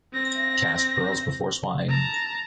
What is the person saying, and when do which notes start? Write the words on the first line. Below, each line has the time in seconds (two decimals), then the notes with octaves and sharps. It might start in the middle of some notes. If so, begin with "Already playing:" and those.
Cast pearls before swine.
0.13 C4 A#6
1.89 A5 A#5